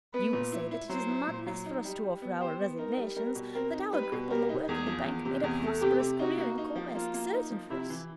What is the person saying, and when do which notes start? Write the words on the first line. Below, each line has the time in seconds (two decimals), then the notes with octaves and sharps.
You will say that it is madness for us to offer our resignations, that our grip on the work of the bank made a prosperous career in Commerce certain for us.
0.14 B3 B4
0.33 A#2
0.52 E4
0.71 E4
0.89 F#3 C5
1.08 E4
1.27 A#2
1.46 F#3
1.66 D#4
1.85 G3
2.03 G3
2.22 B3
2.41 G4 C5
2.60 B3
2.78 D#4 A#4
2.97 G3
3.16 G3 A#4
3.35 B2
3.54 C4 A#4
3.73 D#4
3.93 G3 B4
4.12 B2
4.30 G3 A#4
4.49 D#4
4.68 E2 G#4
4.86 F3
5.06 E2
5.25 C3
5.43 E2 G#4
5.62 A3
5.81 C3 G4
6.00 C3
6.19 D#4 F#4
6.38 A#3
6.58 D#4
6.76 F3
6.94 A#3 F4
7.14 A#3
7.33 D#4
7.51 F3
7.70 C3 E4
7.90 E3